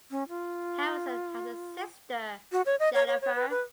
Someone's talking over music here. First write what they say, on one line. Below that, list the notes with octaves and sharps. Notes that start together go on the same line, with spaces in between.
Harrison has a sister, Jennifer.
C#4
F4
F#4
C#5
D#5
C#5
C#5
C#5
B4
B4